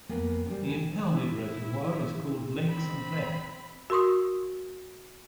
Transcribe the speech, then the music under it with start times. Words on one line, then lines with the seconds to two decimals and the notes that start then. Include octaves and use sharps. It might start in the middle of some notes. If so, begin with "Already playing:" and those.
The impounded reservoir is called Lake Saint Clair.
0.09 F2 A#3 B3 G#5
0.46 C3 G3
0.66 E3 G#5
1.12 E4
2.69 C4 B5
3.90 F#4 A#4 C6 C#6 D#6